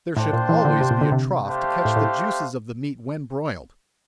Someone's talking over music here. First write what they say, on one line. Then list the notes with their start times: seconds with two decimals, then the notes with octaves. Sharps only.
There should always be a trough to catch the juices of the meat when broiled.
0.17 A2 D4 F4 C5 G5
0.33 A#2
0.49 E3
0.65 D3
0.81 C3
0.91 A#2
1.01 D3
1.12 C3
1.44 A3 D4 G4 C5 F5
1.85 A2
1.96 A2